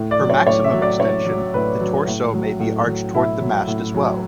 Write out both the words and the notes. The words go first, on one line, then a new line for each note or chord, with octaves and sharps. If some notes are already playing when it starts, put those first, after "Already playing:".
For maximum extension, the torso may be arched toward the mast as well.
Already playing: A2
D5
F#3
C#5
A2 C#5
E5
F#3
D5
A2 C#5
F#3
A2 B4
F#3
A2
F#3
A2
F#3
A2 E4
F#3
A2
F#3